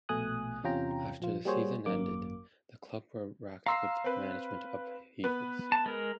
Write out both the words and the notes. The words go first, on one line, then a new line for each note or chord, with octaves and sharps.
After the season ended, the club were wracked with management upheavals.
A#1 B2 A3 G#5 D#6 F#6
E2 C3 C#4 F4 G5 A#5
A#1 F3 F4
G3 A#3 F#4 G#4 C5 C#5
G#1 F#2 F#3 A#3 D6
F5 A#5 C6 E6 C7
C4 B4
B3 B4
A5
G#3 A#4